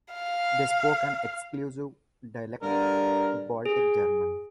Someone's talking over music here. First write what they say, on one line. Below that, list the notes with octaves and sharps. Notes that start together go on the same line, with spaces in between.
They spoke an exclusive dialect, Baltic German.
F5
G2 D3 A#4
G#4